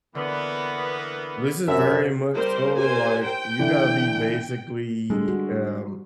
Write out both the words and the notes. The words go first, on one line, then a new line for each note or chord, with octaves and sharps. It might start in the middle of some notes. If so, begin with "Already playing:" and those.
this is very much so, like, you gotta be basically, um
D3 E3 A#3 B3
F#2 C3 D4 E5
G3 A#4 C5
G4 A#4 C5 G#5
G5
D3 E3
D3 G3 G#3
F#4